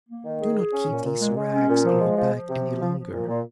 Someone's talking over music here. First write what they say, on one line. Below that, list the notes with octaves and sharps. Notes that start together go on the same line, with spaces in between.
Do not keep these rags on your back any longer.
A#3
D#3
G#4
G#4
C#4
A#2
A#2
G#3
G#3
C#4
A#2
F3
G#3
F3
F3
C3
F3
F3
F3
A#2
A#2